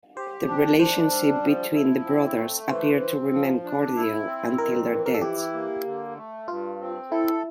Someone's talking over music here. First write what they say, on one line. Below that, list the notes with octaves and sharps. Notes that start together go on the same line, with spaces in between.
The relationship between the brothers appeared to remain cordial until their deaths.
G4 C5
D4
D4 C5
G3
F3
E4
C4
A3
E3 C5
C4
F3
D4
E4
C4
F2 A#4
E3
A#4
A4
E4 G4
A#3
D3
A3
G2 F4
C4
E4 A4